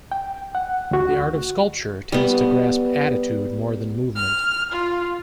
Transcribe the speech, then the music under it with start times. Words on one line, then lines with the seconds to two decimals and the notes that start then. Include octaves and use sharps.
The art of sculpture tends to grasp attitude more than movement.
0.12 G5
0.55 F#5
0.91 D2 F#4
2.12 G3 B3
4.16 F6
4.72 F4